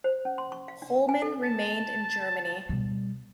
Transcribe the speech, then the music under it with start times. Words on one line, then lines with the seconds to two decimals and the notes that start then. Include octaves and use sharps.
Pohlmann remained in Germany.
0.04 C5
0.25 C#4
0.38 C6
0.52 C#6
0.68 F5
0.82 D4
1.09 G#5
1.22 A4
1.43 A5
2.69 B2 G3